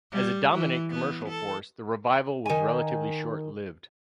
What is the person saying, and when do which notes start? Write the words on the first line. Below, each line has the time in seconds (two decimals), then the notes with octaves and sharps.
As a dominant commercial force, the revival was relatively short-lived.
0.12 G3
0.52 E3
0.91 B3
1.29 A4
2.46 D#3 G#5